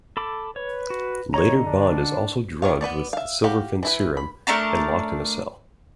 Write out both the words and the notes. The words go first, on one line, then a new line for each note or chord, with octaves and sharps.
Later Bond is also drugged with the SilverFin serum and locked in a cell.
A4 B5 D6
B4 C#5
F#4
D3 C#5 D#5 A#5
D4
D#3 C#5 F5
B3 B4 C#5 D5
E5 F5
F#4 G4 F5
E3 E4 B4
B5
A3 D4 A#4 A5